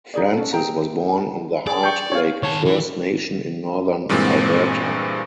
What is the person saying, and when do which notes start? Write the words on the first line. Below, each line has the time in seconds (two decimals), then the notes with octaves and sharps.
Francis was born on the Heart Lake First Nation in northern Alberta.
0.14 D#4 G#4 D5
0.33 C#4 A4
0.53 G#4 E5 G5 A#5
1.67 G#4 D5
1.83 G5 C#6
2.12 C#5 F5
2.43 D#3 C#5 A5
2.65 E3 E4
4.09 G2 A#2 E3 G#3 C4